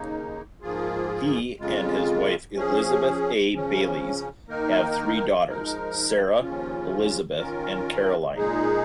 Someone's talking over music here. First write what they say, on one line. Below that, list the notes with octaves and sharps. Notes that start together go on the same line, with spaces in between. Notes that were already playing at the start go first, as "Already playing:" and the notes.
He and his wife Elizabeth A. Baylies have three daughters: Sarah, Elizabeth and Caroline.
Already playing: D#2 C#3 A#3 D#4
G#2 F3 A#3 F4 G#4
F2 C#3 G#3 F4
F3 C#4 G#4
C#3 F3 C#4
D#3 A#3 D#4 A#4
F3 G#3 D#4 A#4
D#2 C#3 F3 C#4 F4
D#3 C#4 F4 A#4
A#2 G#3 D#4 G#4